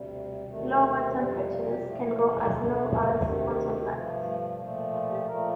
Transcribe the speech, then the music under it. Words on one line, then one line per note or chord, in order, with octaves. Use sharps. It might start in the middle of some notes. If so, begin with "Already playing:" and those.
Lower temperatures can go as low as - on some nights.
Already playing: D2 C3 G3
D2 C3 D#3 A3
F2 C3 G3 D4
D#4
F4
G4
A2 F3 A3
D2 D3 A3 A4
D4
A#3
D2 C3 D#3 A3
G2 F3 A3
A3
A#2 F3 A3 A#3
A#3
F4
G4
A#2 F3 A3 A#4